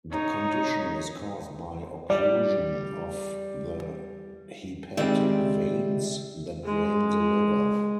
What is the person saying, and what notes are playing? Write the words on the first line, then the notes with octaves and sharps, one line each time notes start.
The condition is caused by occlusion of the hepatic veins that drain the liver.
D#4 C#5
G3 D5
D#3 G3 G#3 C4 E5
G#3